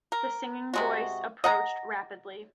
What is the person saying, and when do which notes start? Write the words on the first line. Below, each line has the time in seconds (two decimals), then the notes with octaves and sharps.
The singing voice approached rapidly.
0.12 A#4
0.74 C3 G#3 F#4
1.44 D#5 F#5 A#5